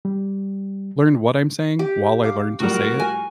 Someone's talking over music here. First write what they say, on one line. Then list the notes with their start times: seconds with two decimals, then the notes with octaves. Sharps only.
learn what I'm saying while I learned to say it,
0.05 G3
1.79 G4
2.23 F5 D6
2.60 A2 F3 G3 F#4 A#4
3.00 G#5